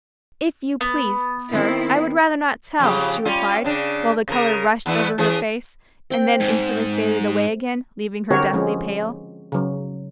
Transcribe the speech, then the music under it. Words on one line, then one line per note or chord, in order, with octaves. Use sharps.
"If you please, sir, I would rather not tell," she replied, while the color rushed over her face, and then instantly faded away again, leaving her deathly pale.
B3
D#3 C4 E4
F2 C#3 G4
G3 C#4 F4
C#3 D4
C#3 A4 A#4
E2 B3 E4
E3 C#4 G#4
C4 G5
G#2
D3 C4 F#4 G4 A#4 C#5
F3 G#3 C#4
C#3 F#3